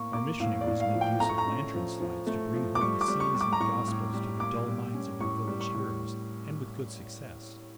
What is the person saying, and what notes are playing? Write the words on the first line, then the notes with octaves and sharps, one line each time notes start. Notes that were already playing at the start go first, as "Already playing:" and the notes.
Our missionaries make use of lantern-slides to bring home the scenes in the Gospels to the dull minds of their village hearers, and with good success.
Already playing: A2 A#3 C#6
A#3 D6
A2 F5
D5
A2
F5
F3
G5
A3 A#5
C#6
A#5
C#4
F3
F3
A3
F3
D6
G3 C#6
D6
G3
C#6
G3
D6
A#5
A2 C#6
A2
G3
A#3 D6
G3
C#4
A2 C#6
G3
C#6
A2